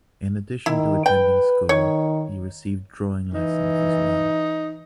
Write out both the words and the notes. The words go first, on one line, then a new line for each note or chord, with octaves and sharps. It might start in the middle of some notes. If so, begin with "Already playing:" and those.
In addition to attending school, he received drawing lessons as well.
D#3 E4
B4 G5
D#3 C#5
E3 D#4